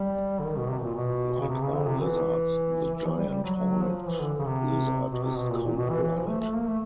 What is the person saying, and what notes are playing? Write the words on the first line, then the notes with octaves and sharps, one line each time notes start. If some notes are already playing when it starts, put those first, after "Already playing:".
Like all lizards, the giant horned lizard is cold-blooded.
Already playing: G3
D3
D#3
B2
C3
B2
A#2
B2
C#3
C3
C#3
D3
C3
E3
E3
F3
G3
G3
F#3
F#3
F3
E3
D3
C#3
C3
B2
C3
B2
A#2
A#2
B2
E3
E3
F3
A3
A3
A#3
A3